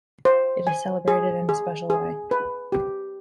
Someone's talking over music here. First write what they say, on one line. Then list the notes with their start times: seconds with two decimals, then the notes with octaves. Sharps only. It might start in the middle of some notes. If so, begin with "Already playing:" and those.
It is celebrated in a special way.
0.25 C5
0.67 G#5
1.08 G#4
1.49 G#4
1.90 G#4
2.31 B4
2.72 G4